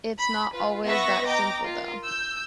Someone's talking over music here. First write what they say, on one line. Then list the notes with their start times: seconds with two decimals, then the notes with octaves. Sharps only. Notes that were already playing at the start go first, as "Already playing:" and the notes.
It's not always that simple, though.
0.18 B5
0.54 F4 B4
0.86 B3 B4 E5 C#6 A#6
1.28 D#5 G5 A#5 D6
1.65 F4 A#4
2.04 E6 G6